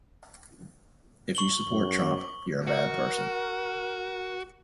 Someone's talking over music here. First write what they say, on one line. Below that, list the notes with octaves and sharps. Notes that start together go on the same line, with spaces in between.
If you support Trump, you're a bad person.
C#6 F#7 G7
F#2
F#4 A#4